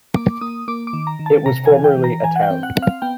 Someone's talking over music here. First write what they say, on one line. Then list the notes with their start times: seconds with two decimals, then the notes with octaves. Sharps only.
It was formerly a town.
0.16 A#3 D6
0.41 A#3 D#6
0.68 A#3 D6
0.87 D6
0.93 D#3
1.07 A#5
1.19 D#3
1.26 A5
1.46 C3 A#5
1.66 G#5
1.72 E3
1.84 G5
1.97 E3
2.04 A#5
2.23 E3 G#5
2.36 F#5
2.43 G5
2.50 C4
2.63 F#5
2.76 C4
2.82 F5
3.02 B3 G5